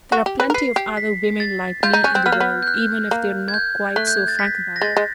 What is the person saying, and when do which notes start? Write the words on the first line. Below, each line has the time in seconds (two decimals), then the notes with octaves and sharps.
There are plenty of other women like me in the world, even if they are not quite so frank about it.
0.12 F#4
0.26 G4
0.40 B4
0.50 A#4
0.54 B4 C7
0.76 G4
0.97 B6
1.40 A6
1.83 F4 G6
1.93 D#4 G6
2.04 C#4 F#6
2.14 C4 F#6
2.26 B3 F6
2.32 A#3
2.40 B3
2.62 G6
2.68 F#6
3.11 A#3
3.48 G#6
3.54 G6
3.96 A3 F#6
4.07 G6
4.17 G#6
4.28 A6
4.39 B6
4.76 A#6
4.81 G#3 A6
4.97 G#3